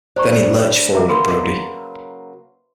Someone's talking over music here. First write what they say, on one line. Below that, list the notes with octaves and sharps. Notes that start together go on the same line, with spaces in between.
Then he lurched forward at Brody.
G3 D4 C5 A#5 C#6
A3 A#3 E5 A#5 D6
C#3 F#3 A#3 B4 B5 C6